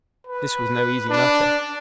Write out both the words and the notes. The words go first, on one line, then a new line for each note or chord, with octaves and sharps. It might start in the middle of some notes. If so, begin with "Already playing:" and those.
This was no easy matter.
B4
D4